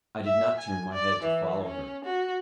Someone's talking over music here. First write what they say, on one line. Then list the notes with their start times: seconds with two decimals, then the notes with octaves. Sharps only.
I did not turn my head to follow her.
0.24 E5
0.58 G#5
0.92 D5
1.22 E3
1.63 C#4
2.04 F#4